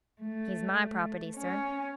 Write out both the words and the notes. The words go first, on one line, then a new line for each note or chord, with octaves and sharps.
"He's my property, sir."
A3
C#4